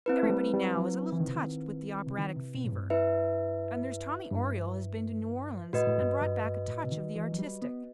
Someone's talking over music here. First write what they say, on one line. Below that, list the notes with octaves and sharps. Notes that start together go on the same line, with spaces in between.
Everybody now is a little touched with the operatic fever, and there's Tommy Oriole has been to New Orleans and brought back a touch of the artistic.
C4 E4 B4
A3
G3
G3
F#3
E3
D#3
C3
D#3
C3
D#3
C3
B2
A2
G2
E4 B4 E5
G2
A2 F#4 B4 D#5
A2
G2
G2
G2
A2
C3
D#3
E3
F#3
G3
B3